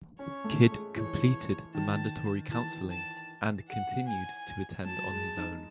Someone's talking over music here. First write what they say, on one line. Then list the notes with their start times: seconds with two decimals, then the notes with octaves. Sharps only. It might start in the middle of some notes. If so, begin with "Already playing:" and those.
Kidd completed the mandatory counseling and continued to attend on his own.
0.19 C#4 C#5
0.44 A3
0.71 G#3
0.96 E3 C#5
1.74 D#3 A5
2.52 E3 A5
2.90 A5
3.68 F#5
4.07 G#5
4.85 F#3 A5
5.11 G#3
5.37 D#4